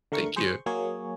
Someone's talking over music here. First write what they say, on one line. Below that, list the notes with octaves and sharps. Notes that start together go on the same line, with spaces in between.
Thank you.
D3 A3 A#4 C#6
G#4 C5 C6 C#6
F#3 A#3 G#4 C#5